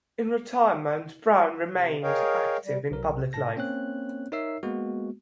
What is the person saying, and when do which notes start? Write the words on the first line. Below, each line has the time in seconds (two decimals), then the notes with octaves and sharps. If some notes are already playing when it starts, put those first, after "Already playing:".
In retirement Brown remained active in public life.
1.73 C3
2.03 G#4 A#4 C#5 D#5 F5 G5
2.65 G3
2.91 B1 A#4
3.33 A2 A5 A#6
3.57 A#3 C4 C#4 C#5 F#6
4.32 D#4 A#4 C#5 E5 E6 C7
4.63 G#3 A#3 B3 F#4